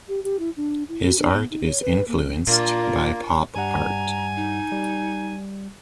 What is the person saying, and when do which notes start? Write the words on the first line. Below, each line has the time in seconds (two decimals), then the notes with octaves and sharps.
His art is influenced by Pop Art.
0.08 G4
0.24 G4
0.39 E4
0.56 D4
0.89 E4
1.04 F#4
1.19 D4
1.32 B3
1.51 D#4
1.67 C#5
1.82 B4
2.08 A#3
2.47 A#2 A#3 D4 F4 A#4
3.56 G2 G3 F#5 G#5 A#5
4.36 D#4
4.72 G3